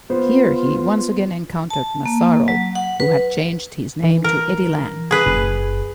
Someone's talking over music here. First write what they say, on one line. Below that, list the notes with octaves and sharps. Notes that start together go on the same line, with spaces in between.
Here, he once again encountered Massaro, who had changed his name to Eddie Lang.
B3 F4 B4 C5
A5
A#3
F#3
F#5
B4
E3
A#4
G#4 B4
F#1